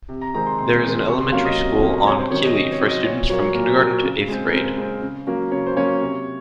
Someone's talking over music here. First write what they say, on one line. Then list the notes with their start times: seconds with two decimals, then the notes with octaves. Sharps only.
There is an elementary school on Kili for students from Kindergarten to eighth grade.
0.09 C3
0.21 A#5
0.34 D#3 G#3 C4 A#5
0.46 C6
0.58 C3 C6
0.84 D#3 G#3 C4 C6
1.08 C3 C#6
1.20 C6
1.32 F#3 A#3 C#4 F5
1.45 D#5
1.57 C3
1.81 F#3 A#3 C#4
2.06 C3 C#5
2.18 C5
2.31 D#3 F#3 C#4 C#5
2.44 D#5
2.55 C3 D#5
2.72 C#5
2.81 D#3 F#3 C#4
2.88 D#5
3.04 A#2 C#5
3.29 F#3 C#5
3.32 A#3
3.54 A#2 A#4
3.79 F#3 A#3
4.03 C#3
4.28 G#3 C4
4.45 A#4
4.53 C#3 C5
4.77 G#3 C4
5.02 C#3
5.27 F#3 A#3 C#4
5.51 C#3 C#5
5.66 C5
5.77 F#3 A#3 C#4 C#5
6.01 C3